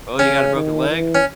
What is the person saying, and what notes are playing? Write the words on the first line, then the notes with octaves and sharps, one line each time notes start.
"Oh, you got a broken leg?"
C#3 C#4
D#3
E3
C#4